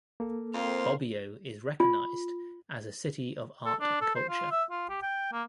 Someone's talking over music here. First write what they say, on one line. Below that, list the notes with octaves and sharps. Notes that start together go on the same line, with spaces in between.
Bobbio is recognized as a "City of Art and Culture".
A#3 A4
F2 C4 A#4 F5 C6
F4
A4
D4
A4
C5
F4
E5
F4
G4
G5
A#3